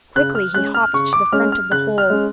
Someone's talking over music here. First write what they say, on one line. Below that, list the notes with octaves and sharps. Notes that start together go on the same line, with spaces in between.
Quickly he hopped to the front of the hole.
C#3 F#6
F6
G#3 C#4 F#6
F6
C#3 C#6
D6
G#3 C#4 F6
F6
C#3 F#6
F6
G#3 C#4